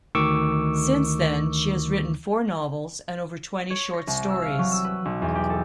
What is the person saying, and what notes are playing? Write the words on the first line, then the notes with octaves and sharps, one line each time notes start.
Since then, she has written four novels and over twenty short stories.
D2 D#3 C#6 D6 E6
C#5
A#6
C2
E6
F5
F#3
E6
B4
B1
E2
G4
A4